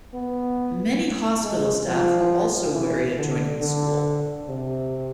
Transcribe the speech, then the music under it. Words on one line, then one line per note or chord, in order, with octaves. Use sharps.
Many hospital staff were also wary of joining the school.
B3
G#3
F3
E3
D3
D3
C3